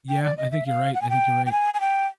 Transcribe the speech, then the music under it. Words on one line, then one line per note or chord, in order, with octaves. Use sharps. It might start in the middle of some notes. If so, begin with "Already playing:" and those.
Yeah, I think you're right, I think you're right.
G5
D5
D#5
E5
F5
F#5
G#5
G5
G5
G#5
G#5
G5